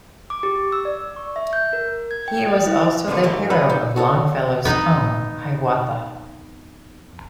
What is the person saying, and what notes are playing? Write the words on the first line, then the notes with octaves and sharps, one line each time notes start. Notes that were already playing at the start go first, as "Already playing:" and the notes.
He was also the hero of Longfellow's poem, 'Hiawatha'.
D6
G4
E6
D5
C#6
E5
G6
A#4
G#6
G5
D#5
E4
D3 D#3 F3 G#3 A3 B3
G#2 A3 A#3 F#4 G4
A4 B4 E5 F#5 A#5 B5
D#4
F#4 A4 C#5
F2 B3 D#4